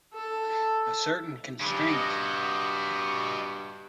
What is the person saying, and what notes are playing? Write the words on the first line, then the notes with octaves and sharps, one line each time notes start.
A certain constraint.
A4
G2 C#3 F3
F#4 D#5